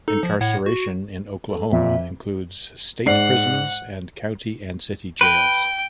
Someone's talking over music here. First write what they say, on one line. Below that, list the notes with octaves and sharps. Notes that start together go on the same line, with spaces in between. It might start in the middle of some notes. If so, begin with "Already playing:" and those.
Incarceration in Oklahoma includes state prisons and county and city jails.
D#4 A4
F3
A2 F#5 G#6
F#4
A4
F2 A#2 E5
G#2 D5 F#5 C7
B4 G5